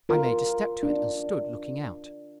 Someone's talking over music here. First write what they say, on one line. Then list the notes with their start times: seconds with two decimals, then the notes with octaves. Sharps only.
I made a step to it, and stood looking out.
0.09 F4 A#4
0.83 D4